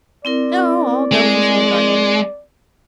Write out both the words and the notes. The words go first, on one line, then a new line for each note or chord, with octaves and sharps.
"No, I'll go in from the garden."
C4 E4 A#4 D5
G#3